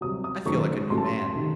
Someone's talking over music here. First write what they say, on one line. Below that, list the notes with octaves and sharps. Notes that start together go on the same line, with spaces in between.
"I feel like a new man."
C2 C3 F#3 D#6
D#6
F#1 F#2 D#3 F#3 A3 C#6
A1 A2 F#3 A3 C6
A5
C6
C3 D#3